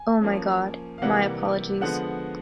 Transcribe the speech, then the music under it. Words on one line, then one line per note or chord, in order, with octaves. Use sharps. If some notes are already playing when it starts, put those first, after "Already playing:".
Oh my God, my apologies.
Already playing: G#5
F3 A#3 C#4
F5
C3 E3 G3 A#3 F#5
D3 F3 G#3 B3 F#5